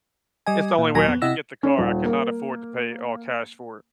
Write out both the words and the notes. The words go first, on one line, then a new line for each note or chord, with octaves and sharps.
it's the only way I could get the car, I could not afford to pay all cash for it.
G3 D#5 G#5
A#2
D#2 A#2 F#3 G#5 A#6
F2 B3
C3 E4 D#5 F#5 E6 A#6
C#4
D#1
A#3